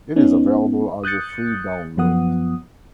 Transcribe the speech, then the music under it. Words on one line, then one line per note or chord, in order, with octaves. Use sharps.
It is available as a free download.
B3 C#4 D#4
D#6 F#6 G6 A6 C#7
F#2 F3 B3 F#5 D#6